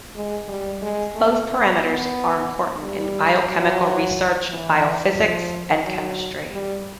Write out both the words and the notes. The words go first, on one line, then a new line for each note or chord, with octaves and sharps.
Both parameters are important in biochemical research, biophysics, and chemistry.
G#3
G3
G#3
A3
B3
B3
G3
F#3
E3
F3
F#3
G3